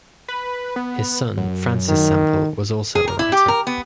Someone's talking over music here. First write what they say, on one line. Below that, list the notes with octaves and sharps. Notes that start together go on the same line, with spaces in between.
His son, Francis Sempill, was also a writer.
B4
B3
F#2
D#3
G#4
A#4
E4
G4
A#4
B3